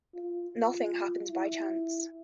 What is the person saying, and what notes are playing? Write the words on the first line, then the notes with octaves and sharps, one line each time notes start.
Nothing happens by chance.
F4
F4
E4